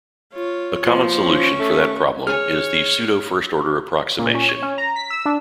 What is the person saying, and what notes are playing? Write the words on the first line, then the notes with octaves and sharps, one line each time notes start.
A common solution for that problem is the pseudo-first order approximation.
F4 C#5
F3 A#3
C#4 C#6
A3
G#4 C#5 G#5 F6
A#2
C#4
C#5
C#4
A#5
B6
E6
D4